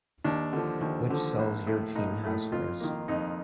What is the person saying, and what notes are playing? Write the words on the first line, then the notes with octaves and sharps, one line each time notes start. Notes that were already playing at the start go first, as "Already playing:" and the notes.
Which sells European housewares.
D#2 D4
D3 F3
D#2
D3 F3
A#1
A2 A3
A#1 D#4
A2 A3
F2 F4
D#3 A#3
F2 D#4